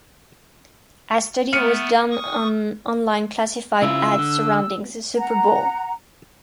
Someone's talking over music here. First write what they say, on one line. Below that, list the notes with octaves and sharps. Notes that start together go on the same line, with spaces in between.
A study was done on online classified ads surrounding the Super Bowl.
A3 B3 F6 C#7 D#7
C#6 D#6
C#3 E4 F4 E6
D3
F#5 A#5